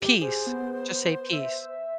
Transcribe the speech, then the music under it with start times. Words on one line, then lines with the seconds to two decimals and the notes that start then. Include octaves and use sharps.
Peace, just say, peace.
0.02 G4
0.21 G#4 C5
0.47 B3
1.33 E5